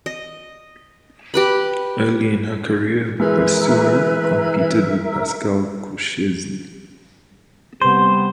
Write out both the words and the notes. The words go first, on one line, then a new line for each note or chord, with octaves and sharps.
Early in her career, Brasseur competed with Pascal Courchesne.
D#5
G4 B4 B5
E3 G#3 A#4 B4 E5
C3 G3 B3 G4 C5 C6